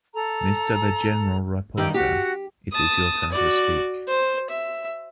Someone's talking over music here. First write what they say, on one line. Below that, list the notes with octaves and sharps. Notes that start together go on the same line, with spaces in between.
Mr. the General Rapporteur, it is your turn to speak.
A4 A#5
G2 D#3 G4 E6
F#4 G4 F#5
A5 D#6
F#4 D5
C5
E5